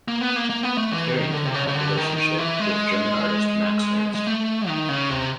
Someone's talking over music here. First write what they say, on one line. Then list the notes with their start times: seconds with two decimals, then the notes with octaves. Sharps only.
Carrington had relationship with German artist Max Ernst.
0.08 A#3
0.21 B3
0.36 A#3
0.50 A#3
0.63 B3
0.78 A3
0.92 E3
1.12 D#3
1.33 D3
1.46 C3
1.54 C#3
1.67 C#3
1.75 D3
1.96 D#3
2.17 D#3
2.38 E3
2.59 G#3
4.15 G#3
4.27 A3
4.68 D#3
4.89 C#3
5.10 C3